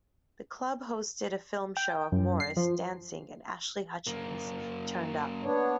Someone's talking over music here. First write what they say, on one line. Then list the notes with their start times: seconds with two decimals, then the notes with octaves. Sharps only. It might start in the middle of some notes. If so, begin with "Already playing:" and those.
The club hosted a film show of Morris dancing and Ashley Hutchings turned up.
1.77 G5
2.12 F#2
2.40 C7
2.57 F3
4.07 F#2 A#3
5.44 B3 D4 C#5